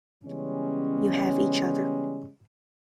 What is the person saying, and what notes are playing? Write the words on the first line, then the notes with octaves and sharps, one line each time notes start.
You have each other.
C#3 E3 G3 G#3 B3 C#4